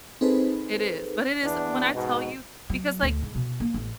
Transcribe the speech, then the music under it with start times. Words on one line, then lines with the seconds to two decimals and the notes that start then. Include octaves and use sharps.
it is. But it is when I tell you because, like,
0.21 C4 D#4 G#4 A4 B4 C5
1.42 E2 B3 D4
1.92 G#2 B2
2.70 F#3
3.03 D2
3.22 G#2
3.35 B2
3.60 A#3
3.74 A1